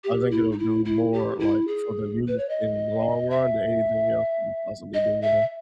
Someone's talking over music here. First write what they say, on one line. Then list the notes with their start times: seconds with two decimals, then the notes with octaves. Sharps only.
I think it'll do more, like, for the youth in the long run than anything else we could possibly do, you know?
0.04 G4
0.31 E4
0.52 D#4
0.59 E4
0.85 E4
1.13 G4
1.40 E4
1.67 G#4
2.28 B4
2.38 C#5
2.49 D#5
3.31 E5
4.94 D#5
5.22 E5